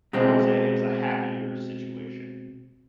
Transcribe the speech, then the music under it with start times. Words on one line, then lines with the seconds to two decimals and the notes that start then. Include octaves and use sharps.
it was a it was a happier situation.
0.13 B2 G#3 C4